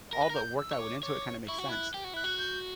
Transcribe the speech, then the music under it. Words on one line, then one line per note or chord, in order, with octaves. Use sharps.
all the work that went into it kinda makes sense.
A#4 A#6
B4
A#4
G6
E6
C#5
D6
C#5 D6
E4 C#6
F#4
E4 F#6
G4
F#4
E4 F#6
F#4
G6